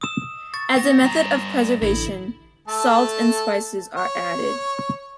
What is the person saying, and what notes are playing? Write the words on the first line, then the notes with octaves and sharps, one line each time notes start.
As a method of preservation, salt and spices are added.
D#6 E6 E7
C#6 A6
B3 A#6
G2 A#5
A1 D3 E4
A3 A4 A5
C#5